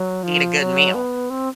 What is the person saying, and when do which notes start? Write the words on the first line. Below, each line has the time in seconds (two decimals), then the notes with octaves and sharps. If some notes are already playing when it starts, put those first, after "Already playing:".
eat a good meal.
Already playing: F#3
0.23 F3
0.59 F#3
0.94 B3
1.30 C4